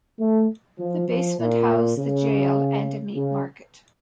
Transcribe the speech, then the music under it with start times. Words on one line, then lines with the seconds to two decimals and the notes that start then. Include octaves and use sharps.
The basement housed the jail and a meat market.
0.20 A3
0.79 F3
1.08 F3
1.39 A#2
1.98 C#3
3.15 C#3